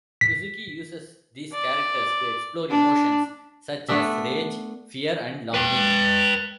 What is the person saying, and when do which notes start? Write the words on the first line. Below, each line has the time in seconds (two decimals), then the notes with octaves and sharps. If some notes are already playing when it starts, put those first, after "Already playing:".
Suzuki uses these characters to explore emotions such as rage, fear and longing.
0.21 B6
1.52 D5
2.70 D4
3.88 A3 B3 D4 E5
5.54 B4 G5